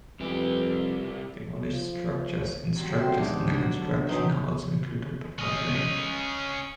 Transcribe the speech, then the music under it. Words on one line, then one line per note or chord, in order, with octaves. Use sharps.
Demolished structures and structures under construction are also included but not ranked.
C2 F2 E3 G4 B4
F3
F#3 G3 C4
A3 C4 F#4 C5
G#2 D#3 D4
D3 F#3
B2 E3 F#3 C4 D#4 E5
C#4 D#5